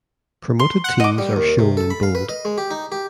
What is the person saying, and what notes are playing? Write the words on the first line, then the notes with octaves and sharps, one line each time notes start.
Promoted teams are shown in bold.
C6
F#5
D#5 D6
G3
D#2
C3
A4
B5
F5
B4
D#5
G#3
G4
D#4
G4